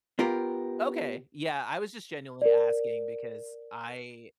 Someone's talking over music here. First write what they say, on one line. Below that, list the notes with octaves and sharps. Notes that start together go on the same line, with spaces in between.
Okay. Yeah. I was just genuinely asking because I
B3 F4 G4 A#4
A#4 D5